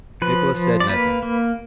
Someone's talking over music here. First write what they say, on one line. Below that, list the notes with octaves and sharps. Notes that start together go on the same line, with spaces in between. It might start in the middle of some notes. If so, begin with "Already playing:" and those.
Nicholas said nothing.
F3 B4
F3
D5
A#3 B4
A#3